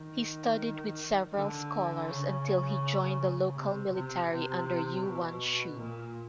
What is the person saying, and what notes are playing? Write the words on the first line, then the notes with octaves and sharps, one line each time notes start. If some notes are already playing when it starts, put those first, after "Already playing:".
He studied with several scholars until he joined the local military under Yuan Shu.
Already playing: D#3
D3
C#3
C3
C3
C3
B2
A#2